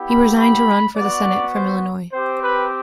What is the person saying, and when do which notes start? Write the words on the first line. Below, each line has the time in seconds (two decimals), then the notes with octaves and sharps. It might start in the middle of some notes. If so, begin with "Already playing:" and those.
He resigned to run for the Senate from Illinois.
Already playing: B3 E4 G4
0.09 B5
0.38 B5
0.96 B3 F#4 D5
1.55 C5
2.13 C4 G4 C5
2.43 B4